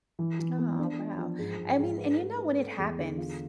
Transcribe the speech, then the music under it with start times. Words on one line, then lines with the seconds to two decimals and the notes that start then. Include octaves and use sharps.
Oh, wow. I mean and you know, when it happens
0.19 E3
0.39 E3
0.58 B3
0.79 D4
0.98 F4
1.18 F3
1.39 G#2
1.58 G#2
1.79 G#2
1.98 B4
2.18 A3
2.39 B4
2.58 A3
2.78 E2
2.98 D3
3.18 F4